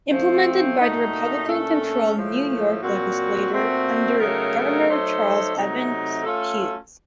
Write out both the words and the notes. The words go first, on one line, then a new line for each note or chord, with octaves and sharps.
Implemented by the Republican controlled New York Legislature under Governor Charles Evans Hughes.
F3 A3 C4
A#2 A3 D#4 F#4
A#2 A3 C#4 A4
A2 F3 A3
A#2 F#3 C4 F#4
A#2 A3 C4 F#4
C#3 F#3 A3 D#4 A#4
F#3 A3 D#4 A4 C5
C3 F#3 A3 D#4
A3 C#4 F4 A4